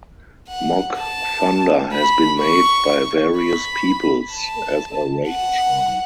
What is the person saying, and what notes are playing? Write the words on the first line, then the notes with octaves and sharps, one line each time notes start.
Mock thunder has been made by various peoples as a rain-charm.
F#5
A5
B5
C#6
B5
A5
F#5